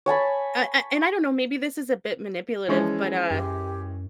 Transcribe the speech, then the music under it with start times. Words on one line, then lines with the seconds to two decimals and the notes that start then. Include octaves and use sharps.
Uh, an and I don't know, maybe this is a bit manipulative, but, uh,
0.06 C#5 G#5 A5 B5
2.68 E3 F3 G#3 C#4
3.31 F#2 G4